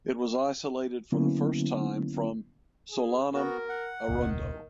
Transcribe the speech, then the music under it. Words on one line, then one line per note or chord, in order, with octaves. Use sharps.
It was isolated for the first time from "Solanum arundo".
D3 F#3 A#3 B3 C#4 E4
G#4
B3 F#4 A#4
F#5
E1 C#2 A#2 D#3